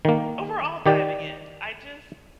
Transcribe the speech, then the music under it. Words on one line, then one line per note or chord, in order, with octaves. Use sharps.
overall diving in, I just
D#3 A#3
D#3 G4 D5